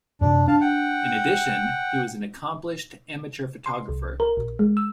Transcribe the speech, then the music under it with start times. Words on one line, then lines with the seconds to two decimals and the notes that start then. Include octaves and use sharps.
In addition, he was an accomplished amateur photographer.
0.21 F#2 C3 D4
0.48 D4 F5 A5
0.61 F#5 G5
3.66 C6
3.89 C2
4.20 A#4
4.37 A#1
4.59 G#3
4.77 E6